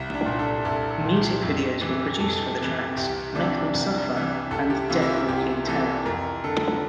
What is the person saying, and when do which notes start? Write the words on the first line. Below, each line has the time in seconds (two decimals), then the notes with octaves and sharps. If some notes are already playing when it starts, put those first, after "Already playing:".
Music videos were produced for the tracks "Make Them Suffer" and "Death Walking Terror".
Already playing: C2
0.14 D4
0.26 A#2
0.39 A4
0.65 C2 A4
0.90 A4
1.04 A#2
1.16 G4
1.42 F2
1.81 C3 E3
2.19 F2 A4
2.58 C3 E3
2.97 C2 G4
3.35 C3 E3 D4
3.74 C2
4.12 C3 E3
4.51 C2 A4
4.70 G4
4.90 C3 E3 F4
5.02 E4
5.09 F4
5.28 C2 G4
5.66 C3 E3 A4
6.05 F2 A#4
6.44 D3 A4